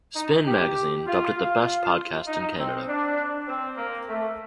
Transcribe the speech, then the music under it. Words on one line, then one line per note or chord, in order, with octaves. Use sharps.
"Spin" magazine dubbed it the best podcast in Canada.
D#4
G4
F4
F4
D#4
C4
D4
C4
A#3
A3